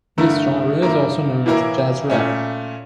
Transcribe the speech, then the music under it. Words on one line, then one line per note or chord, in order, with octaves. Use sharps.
This genre is also known as jazz rap.
G2 D3 A3 E4 A#4
G2 F3 A#3 E4 A#4
A2 E3 A#3 E4 A#4
A#2 A3 C#4